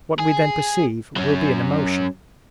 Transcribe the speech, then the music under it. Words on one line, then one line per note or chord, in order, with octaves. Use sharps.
What we then perceive will be an emotion.
G#4
F#3 C#4